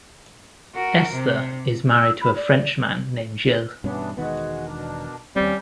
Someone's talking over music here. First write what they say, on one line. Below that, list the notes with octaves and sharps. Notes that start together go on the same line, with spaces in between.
Esther is married to a French man named Gilles.
F#4 A#4
C3
E6
B5
D5
G2 B2 E3 B3 C#4 D4
E1 D#3 G#3 B3 F#4
B2 D4 A#4
D#2 G3 C4 C#4